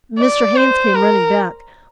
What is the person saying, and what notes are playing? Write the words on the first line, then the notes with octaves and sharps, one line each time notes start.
Mr. Haynes came running back.
D5
C5
A#4